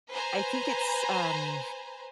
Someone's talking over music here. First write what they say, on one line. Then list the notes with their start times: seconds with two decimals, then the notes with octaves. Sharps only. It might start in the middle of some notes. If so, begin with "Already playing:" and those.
I think it's, um
0.12 B4 C5 G#5 A#5